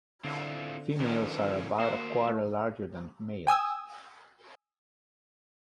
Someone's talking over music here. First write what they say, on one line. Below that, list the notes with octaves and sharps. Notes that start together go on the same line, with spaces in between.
Females are about a quarter larger than males.
D3 C4 E4 F4
D3 D#3 F3 C#4
A#3 F#4 C5
A3
G5 G#5 D#6 E6